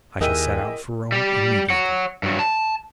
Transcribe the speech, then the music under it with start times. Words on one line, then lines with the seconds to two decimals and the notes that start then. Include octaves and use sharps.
I shall set out for Rome immediately.
0.21 D#2 E4 G4 G#4 A#4 D#5 E6 D#7
1.12 G3 G4
1.70 C#5 F#5
2.23 G2 F#3
2.39 A5